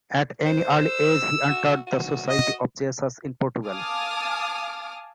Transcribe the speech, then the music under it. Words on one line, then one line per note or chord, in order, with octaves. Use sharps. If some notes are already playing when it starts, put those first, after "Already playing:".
At an early age he entered the Society of Jesus in Portugal.
C5
E6
F#4
F#4
D#5
F5 G#5 A5 D6 D#6 F6